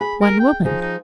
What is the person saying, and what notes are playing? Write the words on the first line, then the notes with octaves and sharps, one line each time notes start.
One woman.
G#4 B5
A#4
G5
F3 D#4 G#4
D#4